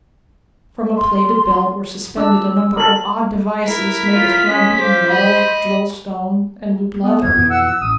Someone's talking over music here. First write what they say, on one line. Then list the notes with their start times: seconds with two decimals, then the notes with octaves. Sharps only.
From a plaited belt were suspended a number of odd devices made of hand-beaten metal, drilled stone and looped leather.
0.98 C6
2.17 D4 E6
2.77 A4 A#4 F#7
3.65 E4 A#4 B6
4.14 F4
4.47 G#3 C#4
4.79 C5 F5 D6
5.08 D#5 B5
7.03 B3
7.22 G1 E2 G#6
7.34 F2 B2 E3 B3
7.49 F#5 E6
7.65 E6
7.81 A1 D#6